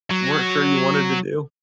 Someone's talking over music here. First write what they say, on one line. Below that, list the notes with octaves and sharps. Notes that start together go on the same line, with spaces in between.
weren't sure you wanted to do?
F#3